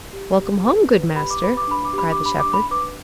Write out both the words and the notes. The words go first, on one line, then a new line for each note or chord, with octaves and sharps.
"Welcome home, good master!" cried the shepherd.
G4
G4
B4
B4
G4 B5
D6
B4 B5
D6
D4 B5
D6
G4 B5
D6
D4
B5
D6
D4
B5
B4 D6